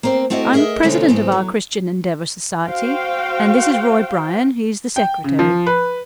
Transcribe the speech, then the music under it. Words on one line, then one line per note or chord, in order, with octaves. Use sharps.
I'm president of our Christian Endeavor Society, and this is Roy Bryan; he's the secretary.
A#3 C4 C5
A3 C4 E4 F#4 G4 D#5
G#4 A#4 D#5 E5
B2 D3 E3 A3 C4 C#4
D2 G#2 A3 B3 C4
F#3
F#4 C5 F5 G5
G5
C#3
F3
B4